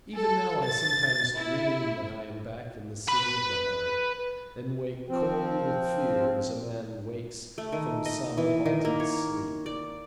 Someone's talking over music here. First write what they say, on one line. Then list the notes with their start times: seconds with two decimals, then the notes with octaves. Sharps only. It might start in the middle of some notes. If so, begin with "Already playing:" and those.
Even now I sometimes dream that I am back in the City of the Heart, and wake cold with fear as a man wakes from some haunted sleep.
0.14 A4
0.65 A6
1.38 E4
3.08 B4 B5
5.08 F3 C4
7.58 A3
7.72 D#3
8.05 D#5
8.38 E3
8.65 D#3
8.85 A#3
9.00 C#5
9.66 D5